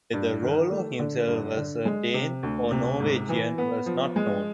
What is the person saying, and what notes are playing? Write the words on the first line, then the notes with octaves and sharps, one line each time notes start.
Whether Rollo himself was a Dane or a Norwegian is not known.
G2
D#3
A3
D3
G2
D3
G#3
C3
D2
C3
G#2
E3
B3
F3
G#3